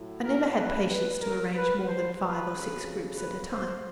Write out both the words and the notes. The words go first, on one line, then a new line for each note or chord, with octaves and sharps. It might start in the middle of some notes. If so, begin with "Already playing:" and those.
I never had patience to arrange more than five or six groups at a time.
Already playing: A2 F#3
A#4
B4
B4
A#4
B4
C5
B4
F2 C#3 F#3
B4
C5